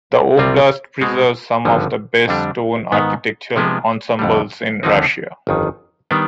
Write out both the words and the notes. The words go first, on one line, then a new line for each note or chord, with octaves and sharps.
The oblast preserves some of the best stone architectural ensembles in Russia.
C2 C3 G3 C4 F4
B2 G#3 C4
G#1 G2 D3 F3
F2 D3 G3 D4
G#2 D#3 B3
C3 F3 G#3 B3 D4
F2 D3 G3
D#2 D3 F3 C4 D#4
G1 F2 D#3
D#3 G3 B3 D4